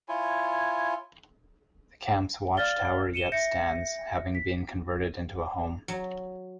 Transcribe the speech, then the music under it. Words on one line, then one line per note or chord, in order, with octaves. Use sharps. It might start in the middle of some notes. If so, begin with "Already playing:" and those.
The camp's watchtower yet stands, having been converted into a home.
E4 F4 C#5 G#5
D5 F5 F6 A6 G7
C#7 D#7 E7 G7
E5 G6 A#6 C#7
B6
F#3